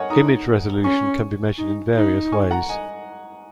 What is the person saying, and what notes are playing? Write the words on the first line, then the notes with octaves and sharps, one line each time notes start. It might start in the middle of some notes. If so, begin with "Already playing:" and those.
Image resolution can be measured in various ways.
Already playing: A#4 C#5 D#5 F#5 G#5
D#4 A#5 D#6
C#4 G#5 C#6
D#4
D#4
G#5 C#6
F#5 A#5
D#5 G#5